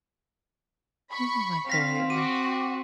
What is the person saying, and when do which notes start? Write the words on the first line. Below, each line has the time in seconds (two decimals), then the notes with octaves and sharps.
oh my golly,
1.13 B5 C#6
1.70 C4 F5 A#6 B6
2.10 F#4 D6 D#7